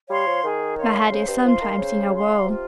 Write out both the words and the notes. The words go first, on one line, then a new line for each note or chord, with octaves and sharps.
My head is sometimes in a whirl.
G3 C#5 F5 C6
F3
D#3 G#4
C#5 F5 C6
C#3 C5
G2
F3 F5 C6
D#3
C#3 C5
F5 C6
C3 F4